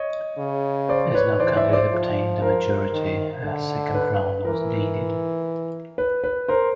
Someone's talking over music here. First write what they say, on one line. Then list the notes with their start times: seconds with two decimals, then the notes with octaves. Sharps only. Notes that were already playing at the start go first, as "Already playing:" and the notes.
As no candidate obtained a majority a second round was needed.
Already playing: C#5 D#5
0.38 C#3
0.89 C5 D5
1.14 B4 C#5
1.39 E3 C5 D5
1.56 D5 E5
1.73 C5 D5
1.91 F3
2.42 A#4 C5
2.93 D#3
3.43 D3
3.94 B4
4.45 E3 A#4
5.98 B4
6.24 B4
6.48 A#4 C5